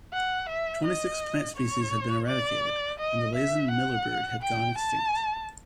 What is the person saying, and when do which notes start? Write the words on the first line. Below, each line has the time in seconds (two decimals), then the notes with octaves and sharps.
Twenty-six plant species had been eradicated, and the Laysan millerbird had gone extinct.
0.13 F#5
0.49 E5
0.85 D#5
1.56 C#5
2.27 D5
2.99 D#5
3.35 E5
3.71 F#5
4.42 G5
4.78 A5